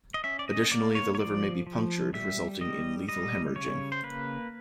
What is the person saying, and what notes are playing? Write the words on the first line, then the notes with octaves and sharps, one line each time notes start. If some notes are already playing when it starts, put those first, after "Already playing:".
Additionally, the liver may be punctured, resulting in lethal hemorrhaging.
D#5
C#4 E5
D5
D#5
A#3 D5
C#5
C#5
F3 D5
F3
G3 E5
G3 D#5
G3 D#5
C#3 C#5
C5
A#3 B4